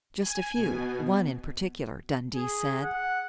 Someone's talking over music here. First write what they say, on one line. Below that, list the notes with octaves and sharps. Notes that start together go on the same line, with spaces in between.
"Just a few--one in particular," Dundee said.
G#5
B2
G#4
F#5